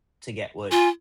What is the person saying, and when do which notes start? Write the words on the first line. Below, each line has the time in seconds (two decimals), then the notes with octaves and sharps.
to get what
0.71 F4 G#5